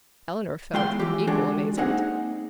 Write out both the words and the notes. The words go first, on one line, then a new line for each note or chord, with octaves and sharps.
Elinor felt equal amazement.
E2 G#3 F4 G5 C6
E3 G4
G#3 D4 F#4 G#4 A4
A#3 C4 D#4 G#4 D#5 F#5